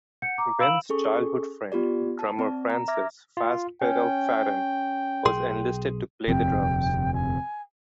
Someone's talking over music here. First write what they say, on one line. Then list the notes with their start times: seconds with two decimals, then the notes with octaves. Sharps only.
Ben's childhood friend, drummer Frances "Fast Pedal" Farran was enlisted to play the drums.
0.22 F#5 G6 C#7
0.38 A#5 D6
0.59 F5 B5 E6 D7 E7 F#7
0.89 C#4 G#4 A4 C#6
1.72 B3 F4 G4 D5
2.19 A5
2.39 C4 D5
2.70 A#5
2.88 E5 D6 F6 G#6 A#6
3.37 F4
3.82 C#4 G5
5.26 B1 G#4 C6
6.28 D#1 F2 C3 G5
7.13 G#5